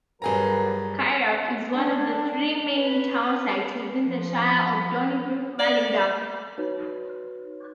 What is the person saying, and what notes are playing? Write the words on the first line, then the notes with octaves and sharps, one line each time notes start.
Kirup is one of the three main town sites within the Shire of Donnybrook-Balingup.
G2 F#3 G#4 A#4 B4 A#5
D4
B4
F3
D5
D#4 F#4 B4 C#5